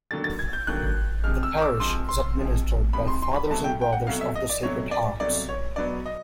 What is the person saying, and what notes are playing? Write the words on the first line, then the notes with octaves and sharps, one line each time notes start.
The parish is administered by Fathers and Brothers of the Sacred Hearts.
D#2 D3 F#3 A#3 A6
A6
G#6
G6
D#2 D3 F#3 A#3 F#6
C3 F3 G#3 F6
E6
C#6
D6
C3 F3 G#3 C6
C6
C3 F3 G#3
C3 F3 G#3 B5
C6
C6
B5
C2 B2 F#3 A3 A5
G5
G5
F#5
C2 B2 F#3 A3 F5
E5
D#5
D5
C2 B2 F#3 A3 C#5
D5
C2 B2 F#3 A3 D5
C#5
B2 F#3 B3 D5
D#5